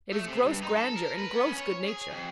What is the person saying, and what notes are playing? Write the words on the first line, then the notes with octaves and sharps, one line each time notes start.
It is gross grandeur and gross good-nature.
A3
C3
G2
D#4
A4
A#4
B4
B3
C#4
C#5
G#4
F2